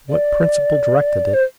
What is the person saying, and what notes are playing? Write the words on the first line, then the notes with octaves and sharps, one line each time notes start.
What principle directed it?
D5
C5